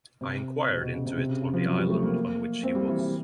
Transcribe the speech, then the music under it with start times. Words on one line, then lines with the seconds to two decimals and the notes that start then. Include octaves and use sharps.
I inquired into it on the island on which he was.
0.21 C3
0.69 B2
0.76 C3
0.81 B2
0.93 C#3
1.06 C3
1.17 C3
1.29 C#3
1.41 C#3
1.54 F3
1.65 F#3
1.78 G3
1.89 A3
2.03 A#3
2.63 C4
2.75 G3
2.87 E3
2.99 E3